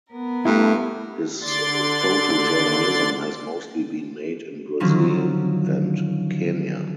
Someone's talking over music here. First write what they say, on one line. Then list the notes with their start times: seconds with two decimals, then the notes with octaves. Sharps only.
His photojournalism has mostly been made in Brazil and Kenya.
0.10 B3 A#4
0.45 G2 A3 E4 A4
1.41 D3 D5 C6 A6
4.80 D3 D#3 F3 F#3 C4 C#4